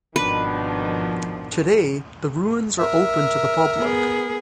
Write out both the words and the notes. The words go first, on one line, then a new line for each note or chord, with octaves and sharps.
Today, the ruins are open to the public.
G#1 B2 D#3 F3 D4 B4
A#4 E5
B3 G#4